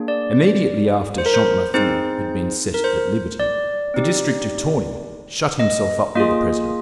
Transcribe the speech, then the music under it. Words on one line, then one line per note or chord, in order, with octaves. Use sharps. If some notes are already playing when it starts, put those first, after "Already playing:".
Immediately after Champmathieu had been set at liberty, the district-attorney shut himself up with the President.
Already playing: A#3 D4 G#4
D5
C5
A#4
C5
C4 D#4 G#4 C5
A#4
C5
D5
C4 D#4 G4
D#5
A#3 F4 G#4 D#5